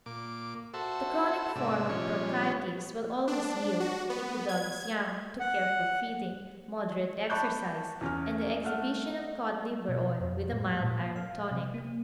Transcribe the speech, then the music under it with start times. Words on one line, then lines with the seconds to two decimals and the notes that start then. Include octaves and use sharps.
The chronic form of bronchitis will always yield, if the dog is young, to careful feeding, moderate exercise, and the exhibition of cod-liver oil with a mild iron tonic.
0.06 A#2 D6
0.74 F#4 A4 C5 E5
1.55 G#2 C3 D4 E5
1.89 A#2 F3 G3 C#4 C#5
3.28 D4
3.80 F#4
4.10 B3
4.49 G#6
5.40 F#5
7.30 A5 B5 C#6 D6 F#6 G6
8.01 E2 C#4 F6
8.64 A3 F#5 F6
9.89 B2
10.21 F2
10.53 A2
10.83 A#2
11.16 F5
11.51 C3
11.74 A#3